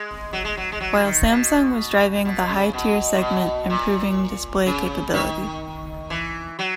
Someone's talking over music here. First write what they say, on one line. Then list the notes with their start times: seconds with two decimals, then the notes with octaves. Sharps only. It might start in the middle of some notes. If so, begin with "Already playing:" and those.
While Samsung was driving the high tier segment improving display capability.
Already playing: G#3
0.33 F#3
0.45 G#3
0.57 F#3
0.72 G#3
0.80 F#3
1.04 D#3
1.29 B2
2.25 B2
2.49 C#3
2.73 B2
3.16 A#2
3.21 B2
3.70 A#2
4.66 C#3
5.14 D#3
6.10 E3
6.59 F#3